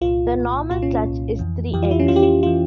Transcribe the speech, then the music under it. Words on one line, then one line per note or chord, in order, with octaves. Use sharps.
The normal clutch is three eggs.
C2 A#2 F4
C2 A#2
C2 A#2 F4
C#4
C2 A#2
F2 E3
F2 E3 G4
F4
E4
C#4
F2 E3 F4
G4
F4
E3 F4